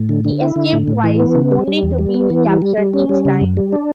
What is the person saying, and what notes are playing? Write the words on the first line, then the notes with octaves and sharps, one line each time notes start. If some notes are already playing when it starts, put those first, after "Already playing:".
He escaped twice, only to be recaptured each time.
Already playing: A2
D3
D3
E4
D3
A2
A2
E3
B3
C#3
G3
G3
E2
G3
B3
E3
G3
G3
G3
C#4
G3
C#3
F#2
G3
D4